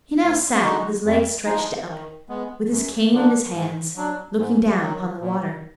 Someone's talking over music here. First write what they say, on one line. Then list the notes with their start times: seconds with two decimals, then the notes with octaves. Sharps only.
He now sat with his legs stretched out, with his cane in his hands, looking down upon the water.
0.21 D2
0.63 D3 G#3 D#4 F#4
1.04 F2
1.46 F3 G#3 D#4
1.88 D#3
2.29 G#3 B3
2.71 F#2
3.12 D3 F3 A#3 D4
3.54 G#2
3.96 F#3 D4
4.37 G#2
4.79 D#3 F#3
5.20 A#2